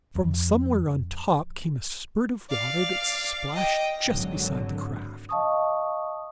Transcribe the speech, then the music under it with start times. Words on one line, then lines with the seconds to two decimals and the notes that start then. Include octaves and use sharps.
From somewhere on top came a spurt of water that splashed just beside the craft.
0.15 F2
2.49 D5 F5
3.53 D#5 G5
4.08 G#1 D3 F#3
5.29 D#5 F5 A5 C#6 D#6